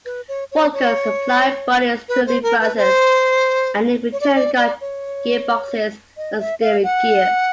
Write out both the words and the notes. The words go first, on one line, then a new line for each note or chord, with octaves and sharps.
Vulcan supplied bodies to Lea-Francis and in return got gearboxes and steering gear.
B4
C#5
C#5
C#5
B4
C5
A#4
B4
C5
C#5
D5
C#5
D5
D5
C#5
D#5
E5
F5
F#5